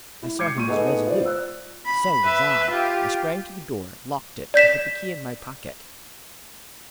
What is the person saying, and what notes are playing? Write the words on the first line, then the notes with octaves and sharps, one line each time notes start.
I saw he was resolute; so was I. I sprang to the door, locked it, and put the key in my pocket.
E4
D6 G6 G#6 C7 C#7
A#2 C#6 D#7
B3 D#4 G#4 A4 D#5
F4 C5 D5
E6 F#6
B5
B4 E5
F4 G4
D5 G6 B6 E7